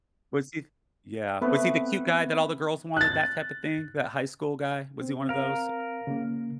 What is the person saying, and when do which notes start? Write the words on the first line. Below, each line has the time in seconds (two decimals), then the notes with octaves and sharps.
Was he Yeah. Was he the cute guy that all the girls wanted, that type of thing? That high school guy? Was he one of those?
1.41 A3 B3 C4 B4
2.96 F#6 A6
5.01 C4
5.29 A#4 F5
6.07 C#3 A#3